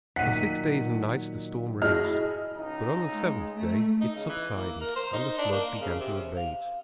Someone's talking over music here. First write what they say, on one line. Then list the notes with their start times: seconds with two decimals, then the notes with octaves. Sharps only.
For six days and nights the storm raged, but on the seventh day it subsided and the flood began to abate.
0.16 A#2 D#3 F#3 F#5 B6 D#7
1.82 E4 F#4 G#4 D#5 A5 F6
2.57 C#2 D#4
3.12 G#3
3.56 A3
4.00 D#4
4.16 C#3
4.29 E3
4.56 A#3
4.81 A#4
4.96 C5
5.13 D#4
5.38 D4
5.52 A#3
5.81 C#3
5.99 C3
6.37 F5